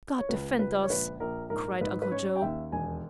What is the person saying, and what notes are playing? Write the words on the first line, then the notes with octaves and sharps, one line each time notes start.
"God defend us!" cried Uncle Joe.
C#5
C#2 B4
C#2 B4
C#5
A#1 B4
A#1 A#4
G#2 A#4
G#2 B4
B4
C#4 C#5
G5
D#2 E5
E1 G#5